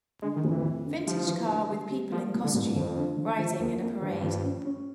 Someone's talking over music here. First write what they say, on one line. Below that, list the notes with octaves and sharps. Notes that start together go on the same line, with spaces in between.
Vintage car with people in costume riding in a parade.
D3 G#3
D#3
F2
E3
F2
D3
F3 G3
E3
D2
G3
G3
F3 A#3
C2
D3
C2 G#2
G2
F2 F3
D3
F3
F3
E2 A#3
F2 A#3
G2 F3
F3
C#4
C#4